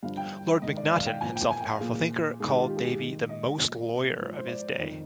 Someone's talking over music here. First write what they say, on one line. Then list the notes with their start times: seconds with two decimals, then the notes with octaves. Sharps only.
Lord MacNaughten, himself a powerful thinker, called Davey the most lawyer of his day.
0.03 G2 D3 F3 F5
0.17 G5
0.62 G#2 D#3 D#5
0.77 D5
0.91 F5
1.06 G5
1.21 A#2 F3 G#5
1.36 G5
1.51 G#5
1.61 G5
1.70 F5
1.80 A#2 F3 G#4
2.40 G#2 G#4
2.44 D#3
2.50 G4
2.60 F4
2.69 G4
2.77 G#4
2.84 G4
2.99 G#2 D#3
3.29 D#5
3.59 A#2 F3
4.18 G#2 F3
4.37 C5
4.48 D5
4.78 F2 D#3